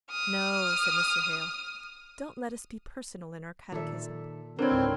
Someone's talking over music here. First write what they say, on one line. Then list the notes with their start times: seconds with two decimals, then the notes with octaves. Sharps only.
'No!' said Mr. Hale; 'don't let us be personal in our catechism.
0.11 D#6 F6
3.72 A#2 D#3 A4 E5
4.59 D3 C4 E4 A#4 C#5
4.71 C#2 G#2 C6